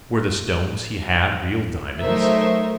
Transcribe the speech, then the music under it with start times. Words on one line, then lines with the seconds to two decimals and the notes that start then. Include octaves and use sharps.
Were the stones he had real diamonds?
2.00 F#3 A3 D#4 A#4 C5 E5